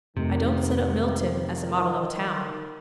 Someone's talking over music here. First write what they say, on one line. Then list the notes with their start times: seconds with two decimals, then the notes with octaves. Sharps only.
'I don't set up Milton as a model of a town.'
0.17 F2 C3 D#3 A3